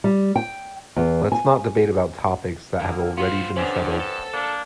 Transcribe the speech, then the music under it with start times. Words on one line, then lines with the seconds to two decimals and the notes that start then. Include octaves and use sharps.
Let's not debate about topics that have already been settled.
0.04 G3
0.36 G5
0.96 E2
1.32 G#5
2.79 F#2 D3 A#3
3.17 B3 F4 C5
3.56 G2 D3 B3 C#4 D4 C5
3.99 A4 A5
4.33 A#3 D4